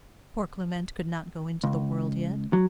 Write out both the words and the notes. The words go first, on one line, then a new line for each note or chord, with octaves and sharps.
Poor Clement could not go into the world yet.
C#2
F#3